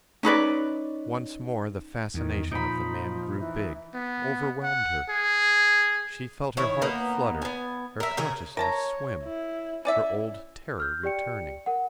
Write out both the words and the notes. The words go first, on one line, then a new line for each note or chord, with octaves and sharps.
Once more the fascination of the man grew big, overwhelmed her. She felt her heart flutter, her consciousness swim, her old terror returning.
C#4 D#4 B4 D5
E2 D#3
A#2 F3 D#4 B5
E3
B3
F#5
G#4
D#3 E4 C#5
A#3 B3 D#4
B3 G#5
A#4 E5
C#3 G#4 A#4
A#4 C#5 A5 A#5
E4
C#4 E4 D5 E5
E6 F6 G6
G4 D5 G5 C#7
A#4 F#5